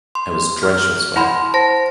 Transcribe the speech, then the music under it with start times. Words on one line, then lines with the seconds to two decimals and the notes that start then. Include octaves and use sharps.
I was drenched with sweat.
0.15 C6
0.63 F6
1.16 E4 F#5 B5 C6
1.54 C5 A5 A#6